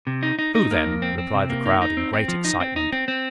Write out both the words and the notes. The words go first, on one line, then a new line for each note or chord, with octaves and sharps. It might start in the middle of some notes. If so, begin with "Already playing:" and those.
"Who, then?" replied the crowd in great excitement.
C3
D#4
D#4
D#4
A#3
F2
C4
C4
C3
A#3
D#4
D#4
C4
C4
F3
D#4
C4
D#4
C4
C4